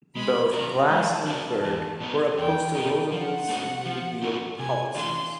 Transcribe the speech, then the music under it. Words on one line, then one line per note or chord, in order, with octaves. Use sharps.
Both Glass and Byrd were opposed to Roosevelt's New Deal policies.
G#3 B5
C#4 F#4 A#4 D5 A#5
G#3 A5
C#4 F#4 A#4 D5
E2
B2 G3 B3 D#4
E2 G5
B2 G3 B3 D#4
F3 F#5
A3 C4 D#4 F#4
F3
A3 C4 D#4 F#4
C3 G#5
E3 A3 D4 F4 C6